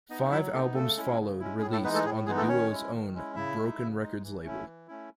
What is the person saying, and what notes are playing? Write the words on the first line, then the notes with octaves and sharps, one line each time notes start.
Five albums followed, released on the duo's own Broken Records label.
B3 D#4 D#5
F#3 E4 E5
A3 B3 D#4 A4
C#3 A3 A4
G#3 C#4 E4
C#3
G#3 C#4 E4
A2 G#4
A3 A4
E3 G#3 B3 D#4 B4
A3 A4
A2 G#4
E3 G#3 B3 D#4 G#4
A3 A4
D#3 C#4 C#5
G#3 C#4 E4
D#3
G#3 C#4 E4
C#3 E4 E5
G#3 D#4
C#3
G#3 D#4
E3
A3 C#4 E4
E3
A3 C#4 E4